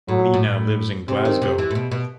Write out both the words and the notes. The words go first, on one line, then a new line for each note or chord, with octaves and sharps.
Mina lives in Glasgow.
A2 F#3
A2
C3 C4
D#3
C3
E3
A2
B2
B2